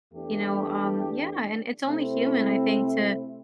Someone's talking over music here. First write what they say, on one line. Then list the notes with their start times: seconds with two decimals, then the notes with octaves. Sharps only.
you know, um, yeah, and it's only human, I think, to
0.13 E2 E3 A3 D4 G4
1.85 C3 A3 C4 E4